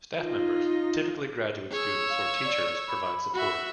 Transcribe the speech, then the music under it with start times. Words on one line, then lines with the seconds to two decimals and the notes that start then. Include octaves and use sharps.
Staff members, typically graduate students or teachers, provide support.
0.21 D#4 F4
1.72 G#4 C#5 E6
2.09 F5
2.45 D5
2.88 B5
3.34 F#4 E5